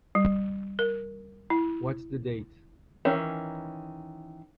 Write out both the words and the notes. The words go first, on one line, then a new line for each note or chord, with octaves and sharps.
What's the date?
G3
A#4
E4
D#3 E3 C#4